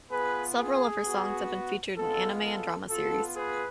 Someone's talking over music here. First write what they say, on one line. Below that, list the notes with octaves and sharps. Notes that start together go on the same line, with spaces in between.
Several of her songs have been featured in anime and drama series.
B3 F4 G#4 B4
G#4
B3 F#4
G#3 B3 F4 A4
A4
B3 F4 A4
G#4 B4